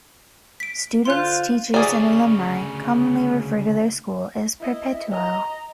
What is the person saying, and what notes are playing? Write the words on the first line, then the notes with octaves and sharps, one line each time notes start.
Students, teachers and alumni commonly refer to their school as Perpetuo.
B6 D7
D3 F4 C5 C6 F#6
D2 C#3 G#4 D5
E4 D#5
D#5 A#5